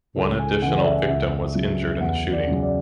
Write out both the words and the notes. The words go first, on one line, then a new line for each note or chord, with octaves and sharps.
One additional victim was injured in the shooting.
C#2 A4
G#5
C#3 E3 F#5
D5
E5
C#2 E5
C#3 F#3
E2 F#5
D5
C#3 F#3
D5